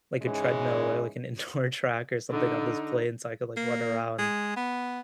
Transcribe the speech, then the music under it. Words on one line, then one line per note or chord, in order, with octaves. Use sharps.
like, a treadmill or like an indoor track or something on this plane so I could, like, run around
G#2 C#3 E3 G#3 C#4
D3 D#4
A#3
G#3
B3